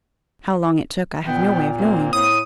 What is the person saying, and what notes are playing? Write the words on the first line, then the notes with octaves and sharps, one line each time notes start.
How long it took I have no way of knowing.
A#2 B3 G5
A#3 C4
A2 D#6